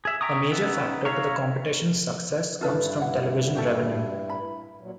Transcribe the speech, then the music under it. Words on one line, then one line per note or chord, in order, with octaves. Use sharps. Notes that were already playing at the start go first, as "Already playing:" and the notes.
A major factor to the competition's success comes from television revenue.
G#4 E5
E5 G5 A#5 C#6 D#6
B3 C#4 D#4 E5
C#5 E5 F5 A#5 C#6
G2 E4 F4 A4 B4
F#5
F#4 G4 A4
B5
A#2 F#3